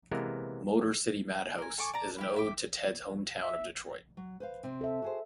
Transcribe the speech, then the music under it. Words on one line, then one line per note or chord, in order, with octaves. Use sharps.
"Motor City Madhouse" is an ode to Ted's hometown of Detroit.
C3 E3 G#3 A#3 B3 A#4
A#4 G#5
A4 G#5 C#6 D6
D5 A5 A#5
E4 G4
E5 G5 D6
E5
F#3
B4 C5 F5
C3 C4
A4 E5
F#4 G#4 C5